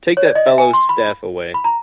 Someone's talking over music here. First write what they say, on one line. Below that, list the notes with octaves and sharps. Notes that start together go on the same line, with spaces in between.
Take that fellow’s staff away.
C#5
D5
D#5
E5
G#5
C6
B5
B5
A#5